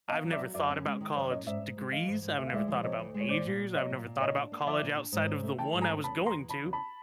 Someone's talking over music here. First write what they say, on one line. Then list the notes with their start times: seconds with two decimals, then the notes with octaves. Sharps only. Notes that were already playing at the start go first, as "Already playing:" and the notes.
I've never thought about college degrees. I've never thought about majors. I've never thought about college outside of the one I was going to
0.09 B3 D#5 F5
0.24 F#3
0.32 D5 E5
0.39 F#4
0.54 F#2 D5 E5
0.70 C#4
0.85 G#3
1.00 D#3
1.15 F#2 C5 D5
1.30 C#4 C#5 D#5
1.46 G#2 D5 E5
1.62 G#2
1.77 G#3
1.92 E3 D#5 F5
2.07 G#2
2.22 G#2
2.38 D2 E5
2.47 F5
2.53 G#3 D5 E5
2.68 F3
2.83 C3 C#5 D#5
2.99 D2
3.14 G#3
3.20 C#5
3.29 A#2 C5 D5
3.45 A#2
3.60 A#3
3.75 F#3 C#5 D#5
3.90 A#2
4.06 A#2
4.20 A#2 C#5 D#5
4.37 D4
4.52 A#3
4.67 F3 D5 E5
4.82 A#2
4.97 D4
5.12 G#2
5.28 C#4
5.43 A3
5.58 E3 G5 A5
5.73 G#2
5.81 G#5 A#5
5.88 C#4
6.04 E2 A5 B5
6.19 E2
6.26 A#5 C6
6.34 E3
6.49 C#3 A5 B5
6.65 E2
6.73 A5 B5